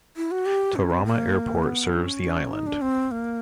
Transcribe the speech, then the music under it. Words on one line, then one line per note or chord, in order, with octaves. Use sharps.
Tarama Airport serves the island.
E4
F#4
G4
C#4
C4
A#3
B3
C#4
D#4
D4
C4
A#3